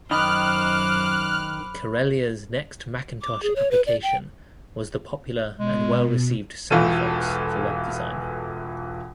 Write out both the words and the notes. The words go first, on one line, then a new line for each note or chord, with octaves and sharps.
Karelia's next Macintosh application was the popular and well-received Sandvox for web design.
F#2 D#3 C5 D#5 B5 D6 F6 F#6
D6
G#4
C#5
B4
D5
G5
B2 G#3
E1 E3 F4 F#4 A4 D#7